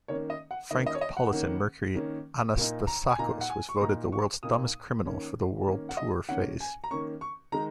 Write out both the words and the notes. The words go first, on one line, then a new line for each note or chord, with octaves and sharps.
Francopolitan Mercury Anastassacos was voted the "World's Dumbest Criminal" for the world tour phase.
D#3 A#3 C#4 C#5
D#5
F#5
D#3 A#3 C#4 D#5
D#5
C#5
D#5
F#5
D#3 A#3 C#4
D#3 A#3 C#4
A#2 A#3 D#4
A#5
G#5
A#2 A#3 D#4 A#5
F#5
G#5
C#6
A#2 A#3 D#4 A#5
C#6
A#2 A#3 D#4 D#6
D#3 A#3 C#4
D#3 A#3 C#4
F#5
D#5
D#3 A#3 C#4 F#5
G#5
A#5
D#3 A#3 C#4 C#6
C#6
D#3 G#3 D#4 A#5